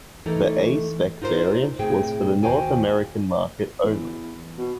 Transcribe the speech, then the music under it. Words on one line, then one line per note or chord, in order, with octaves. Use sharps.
The A-spec variant was for the North American market only.
E3 A3 D#4 A4 A#4
D#4 F4 A#4 C5
A2 C3 G#4 G5
D#2 F#4 C5 F5 G5 G#5
E2
B2